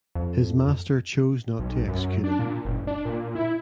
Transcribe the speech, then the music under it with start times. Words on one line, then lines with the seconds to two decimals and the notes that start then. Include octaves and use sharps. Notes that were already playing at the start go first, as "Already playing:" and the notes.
His master chose not to execute him.
0.15 F2
1.59 B1
1.88 F#2
2.24 D4
2.39 A#2
2.65 F#1
2.87 D4
3.05 A#2
3.35 E4